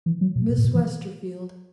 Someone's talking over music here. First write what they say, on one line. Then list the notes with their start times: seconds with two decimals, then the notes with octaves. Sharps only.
Miss Westerfield.
0.06 E3
0.21 F#3
0.36 B2
0.49 B2
0.58 A2
0.65 B2
0.75 E3